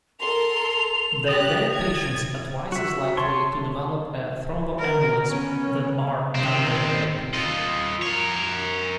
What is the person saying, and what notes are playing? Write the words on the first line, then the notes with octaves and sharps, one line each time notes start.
Diabetic patients are twice as likely to develop a thromboembolism than are non-diabetic patient.
A4 A#4 C6 F7
G4 D#6 F#6 A6 A#6
G#6
F#4 E5
C#5 A5 C6 C#6
A#4
B3 C#4
D#3 C4
F4 D#5
A#4 C#5